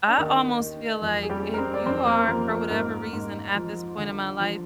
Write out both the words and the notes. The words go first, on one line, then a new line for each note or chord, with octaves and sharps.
I almost feel like if you are, for whatever reason, at this point in my life
D4
D#2 D#3 D#4
D#2
F2
G#4
G3 G4
G3
A#4
C4 C5
D5
F2 C4 C5
A#3 A#4
F3 A#3 A#4
A#3 A#4
G#2 A#3 A#4
G#2
F3
D3
F3